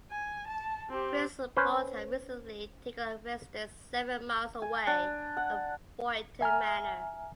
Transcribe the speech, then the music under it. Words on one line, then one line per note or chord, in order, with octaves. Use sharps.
Prince Leopold had recently taken up residence seven miles away at Boyton Manor.
G#5
A5
C4 G4
C#4 B4 C5
G#5
D4
F#5
E5 G#5 A#5 F6